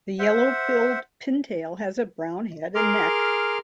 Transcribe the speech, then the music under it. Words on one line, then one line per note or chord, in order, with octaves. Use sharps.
The yellow-billed pintail has a brown head and neck.
C5 E5 F#5
G#4 A#4 C6 D6 F6